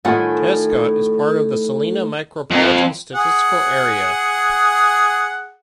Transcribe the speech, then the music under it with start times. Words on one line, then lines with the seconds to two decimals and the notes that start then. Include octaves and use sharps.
Tescott is part of the Salina Micropolitan Statistical Area.
0.05 A2 D#3 F4 F#5 G#5
2.51 F2
3.14 G#4 F#5